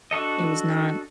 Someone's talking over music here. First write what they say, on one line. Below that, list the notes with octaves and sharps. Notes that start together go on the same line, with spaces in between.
it was not.
D4 F#4 A4 D#5